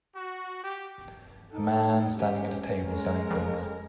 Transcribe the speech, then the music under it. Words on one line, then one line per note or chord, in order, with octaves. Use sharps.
A man standing at a table selling things.
F#4
G4
D#4 A4
C#4 G4
G#3 A#4
F2